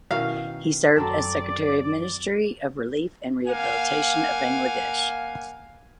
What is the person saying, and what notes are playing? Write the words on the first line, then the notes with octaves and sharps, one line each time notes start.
He served as Secretary of Ministry of Relief and Rehabilitation of Bangladesh.
B2 D#3 C#4 E4 A#4 F5
F#2 F#3 C4 A4 D5
A#3 F5 F#5 G#5